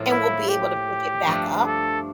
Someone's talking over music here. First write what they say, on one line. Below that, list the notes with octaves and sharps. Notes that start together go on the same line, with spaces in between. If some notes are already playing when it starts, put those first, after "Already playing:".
and we'll be able to pick it back up.
Already playing: A2 F3 A#3 F4
E4
G4
G2 F3 A3 D4
A4